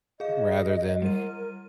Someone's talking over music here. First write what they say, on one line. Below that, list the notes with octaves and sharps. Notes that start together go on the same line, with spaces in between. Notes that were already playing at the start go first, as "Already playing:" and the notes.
rather than
G#4 D#5 F5
G3 A#4 D#7